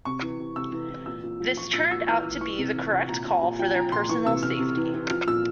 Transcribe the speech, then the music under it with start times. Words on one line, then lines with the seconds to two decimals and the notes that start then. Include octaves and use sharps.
This turned out to be the correct call for their personal safety.
0.05 C3 C#6
0.22 E3
0.40 C3
0.56 C3 E6
0.72 E3
0.90 E3
1.06 A#2 E6
1.23 A#2
1.40 F3
1.57 F3 C#6
1.73 A#2 E6
1.91 A#2 E6
2.08 E3 F6
2.24 E3 E6
2.41 E3 C#6
2.58 C3
2.75 E3
2.91 C3
3.09 A#2 A#5
3.25 A#2
3.34 G#5
3.43 A#2
3.59 F3 G5
3.76 F3 A#5
3.92 A#2 C6
4.09 E3 C#6
4.26 C3 E6
4.43 C3 F6
4.59 C3
4.77 E3
4.94 E3
5.10 F3 F6
5.27 A#2 E6